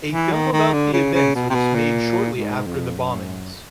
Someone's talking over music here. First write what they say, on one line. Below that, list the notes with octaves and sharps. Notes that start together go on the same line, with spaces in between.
A film about the events was made shortly after the bombings.
E3
D#3
D#3
D3
C#3
C#3
B2
C3
B2
A#2
G#2
F2
F#2